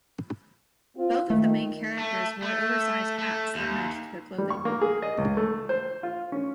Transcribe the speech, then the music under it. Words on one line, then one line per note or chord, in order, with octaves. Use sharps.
Both of the main characters wore oversized hats that matched their clothing.
C4 F4
D#3 A3
A3
A3
A3
D#2
G3
C#6
A#3
G#4
D#5
C#2
A3
C5
F4
C#4